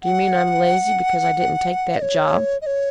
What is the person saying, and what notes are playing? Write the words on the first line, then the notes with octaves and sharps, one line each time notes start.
"Do you mean I'm lazy because I didn't take that job?"
F#5
D#5
C#5
D#5
C#5